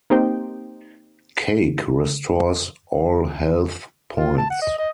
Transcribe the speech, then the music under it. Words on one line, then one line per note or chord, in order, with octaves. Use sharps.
Cake restores all health points.
A#3 C4 D#4 G4 C5 G5
F4
A5
F#5
D#5
D#5